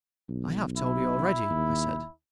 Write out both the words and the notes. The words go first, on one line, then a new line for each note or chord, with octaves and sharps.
"I have told you already," I said.
B1
E4
D#2